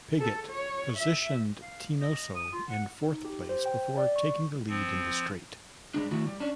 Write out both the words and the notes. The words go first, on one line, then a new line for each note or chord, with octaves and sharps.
Piggott positioned Teenoso in fourth place before taking the lead in the straight.
A4
C#5
E5
F5
D#5
D#6
F4
F#5
D#4
G4
C5
G5
D5
C#6
F3 C4
G3 G#3 D4
D#3 A3 E4 F#4
G3
C#4 D4